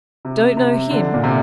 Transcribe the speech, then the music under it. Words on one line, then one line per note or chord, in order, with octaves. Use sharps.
Don't know him.
C3
C3
D3
A#2
C3